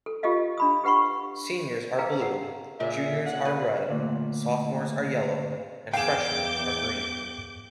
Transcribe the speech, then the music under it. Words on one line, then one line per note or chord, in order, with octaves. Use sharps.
Seniors are Blue, Juniors are Red, Sophomores are Yellow, and Freshmen are Green.
A4
F4 G4 A4 D#5 F5
D4 B5 D#6
G4 B4 F#5 B5 C#6
G#4 A#4 B4 F5 G5 A#5
F#5
A#2 C#3 A#3 E5
F#5
D3 B4
D2 A#2
E2 B3 G#4 F5 G5 D6 G6 E7